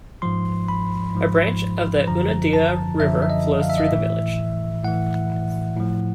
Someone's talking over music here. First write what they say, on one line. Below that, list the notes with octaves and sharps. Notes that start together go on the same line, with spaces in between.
A branch of the Unadilla River flows through the village.
G#2 F3 C6
B5
G#2 F3
F#2 D3 F3 A#5
A5
F#2 D3 F3 E5
E5
D#5
F5
E5
D#5
E5
A2 E3
A2 E3 F#5
A2 F3